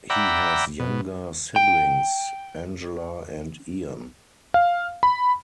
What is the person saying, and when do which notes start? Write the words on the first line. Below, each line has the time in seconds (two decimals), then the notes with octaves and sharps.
He has younger siblings Angela and Ian.
0.10 D5 E5 F#5 G5 A#5 B5
0.80 B2
1.56 G5
4.54 F5
5.03 B5